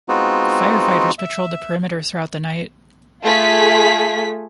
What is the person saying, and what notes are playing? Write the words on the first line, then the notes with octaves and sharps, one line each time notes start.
Firefighters patrolled the perimeter throughout the night.
G#3 B3 C4 D#4 F4 F#4
E5
A3 F4 G#4 B6